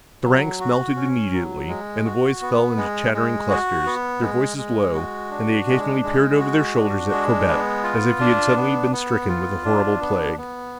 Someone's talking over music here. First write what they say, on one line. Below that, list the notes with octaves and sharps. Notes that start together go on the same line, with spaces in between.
The ranks melted immediately and the boys fell into chattering clusters, their voices low, and they occasionally peered over their shoulders at Corbett as if he had suddenly been stricken with a horrible plague.
F#3
F#4
C#4
F#3
G#3
F#4
B3
G#3
G#3
F#4
B3
G#3
G#3
F#4
D4
G#3
G#3
F#4
D4
G#3
B3
F4
D4
B3
B3
F4
D4
B3
B3